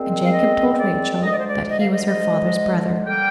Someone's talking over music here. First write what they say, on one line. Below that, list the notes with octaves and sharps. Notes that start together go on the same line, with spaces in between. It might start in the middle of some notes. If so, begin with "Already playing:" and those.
And Jacob told Rachel that he was her father's brother.
Already playing: A#2 G#3 C4
F5
D#5
D#5
D5
D2 D3 G#3 D#5
D5
C5
D5
D#5
F5
D#5
D#5
D3 G3 A#3 G5